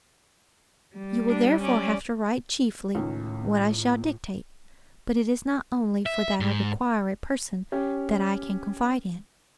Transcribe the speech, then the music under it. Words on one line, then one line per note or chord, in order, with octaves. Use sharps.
You will therefore have to write chiefly what I shall dictate; but it is not only for that I require a person that I can confide in.
G3
D4
C#4 D5
C#2 A2 D#3 C#4
E5
G#2
C#4 G4